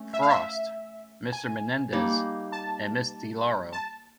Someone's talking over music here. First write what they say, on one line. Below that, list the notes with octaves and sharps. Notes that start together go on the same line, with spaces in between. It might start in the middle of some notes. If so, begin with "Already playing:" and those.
Frost; Mr. Menendez; and Ms. DeLauro.
Already playing: A3 C#4
E5
F5
E5
G#5
G3 A#3 D#4
A5
A5